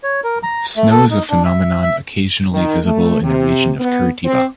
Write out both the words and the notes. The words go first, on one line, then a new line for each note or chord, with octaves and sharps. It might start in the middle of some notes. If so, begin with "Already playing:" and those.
Snow is a phenomenon occasionally visible in the region of Curitiba.
C#5
A#4
A#5
A3
A4
D#4
D4
E5
E5
D#3
A3
C3
B3
C4